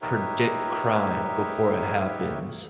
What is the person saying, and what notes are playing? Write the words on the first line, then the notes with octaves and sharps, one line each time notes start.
predict crime, before it happens.
D#4 G4 A#4 B4 C#5 E5